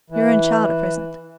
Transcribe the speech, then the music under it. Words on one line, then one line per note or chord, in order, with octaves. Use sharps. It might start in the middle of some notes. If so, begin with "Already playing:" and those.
"Your own child at present."
E3